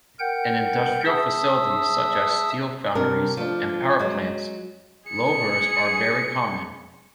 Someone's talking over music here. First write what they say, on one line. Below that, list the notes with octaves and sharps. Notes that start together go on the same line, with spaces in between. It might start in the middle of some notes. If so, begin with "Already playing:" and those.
In industrial facilities such as steel foundries and power plants, louvers are very common.
A#4 F#5 G5 G6
G#4 E5 A5 D#6 E6
F#2 C3 D4 A#4
F3 A3 D4
F#3 G#3
G#4 C#7